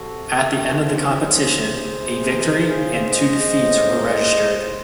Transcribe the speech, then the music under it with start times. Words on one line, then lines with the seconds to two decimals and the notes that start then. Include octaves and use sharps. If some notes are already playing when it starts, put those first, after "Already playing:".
At the end of the competition, a victory and two defeats were registered.
Already playing: C3 F#4 A4
0.29 D#3
0.69 C#3 C5
0.78 A4
0.86 G#4 C5
1.09 F#3
1.49 C3
1.90 C3
2.30 E3
2.71 C#3
3.10 G#3 C5 D#5
3.51 A2
3.91 G#3
4.31 A2